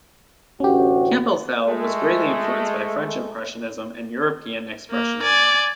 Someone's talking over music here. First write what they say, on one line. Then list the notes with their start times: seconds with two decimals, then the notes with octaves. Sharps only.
Campbell’s style was greatly influenced by French Impressionism and European Expressionism.
0.60 A1 D2 C#4 F#4 G4
1.67 G#3 A3
4.91 A#3
5.23 D5 G#5